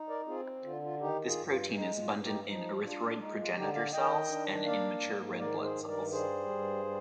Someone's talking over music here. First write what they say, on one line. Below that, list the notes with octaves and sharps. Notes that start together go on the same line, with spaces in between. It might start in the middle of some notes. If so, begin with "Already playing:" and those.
This protein is abundant in erythroid progenitor cells and in mature red blood cells.
Already playing: D#4
A#4 D5
C4 F4 G#4
D3 F4
F4
D#3 D#4 G4
F4 G#4
G2
F4
G#3 D#4
F4
G2
D#4 G4
F3 D#4
D4 F4
G#3 D#4
F4
D3 D#4 G4
D5 F5
D#3 D#5 G5
D4
A#3 D5 F5
G#2
D#3 A#4 D5
G#4 C5
G2
A#4 D5
G3 G#4 C5
G2
G3